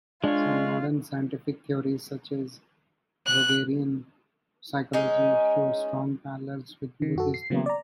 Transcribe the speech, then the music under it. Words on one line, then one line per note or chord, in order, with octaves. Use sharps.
Some modern scientific theories, such as Rogerian psychology, show strong parallels with Buddhist thought.
G#3 D4 F4 C#5
F#6
G#3 C#4 D#4
D#3
F#2 F#4 A4
C7
C#3 E3 F#3 A#3 B3
D5 A#5